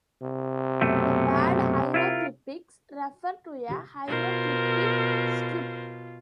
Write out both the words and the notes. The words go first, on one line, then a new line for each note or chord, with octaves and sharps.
The word "hieroglyphics" refer to a hieroglyphic script.
C3
F#2 B2 A3
E4 F4 A#4
B2 F4 A#4 C5